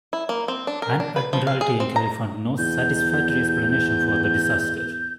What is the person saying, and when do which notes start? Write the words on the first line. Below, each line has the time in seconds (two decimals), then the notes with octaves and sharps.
An Admiralty enquiry found no satisfactory explanation for the disaster.
0.13 E4
0.29 A#3
0.48 C4
0.67 D4
0.82 A#4
1.00 D4
1.16 B4
1.33 F3
1.47 F5
1.61 G#4
1.80 C4
1.96 A#5
2.58 E2 G6